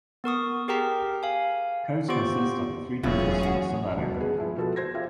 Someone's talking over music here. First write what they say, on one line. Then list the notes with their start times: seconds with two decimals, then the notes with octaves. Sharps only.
Codes consists of three digits plus a letter.
0.24 B3 A#4 C#6 D#6
0.68 G4 G#4 A#4 G5 A#5 B6
1.23 F5 G#5
2.08 B3 F4 G4 C5 C#6 D7
3.03 E1 F#2 B2 F#3 C#4 E4 F4 G#4
3.43 F#4
3.95 D#1 D2 B2
4.16 B3 G#4
4.38 F3 G#3 E4
4.56 B2 F3 B3 F#4 A4
4.76 C5 G#6 A#6
4.94 F4 G4 E5 F5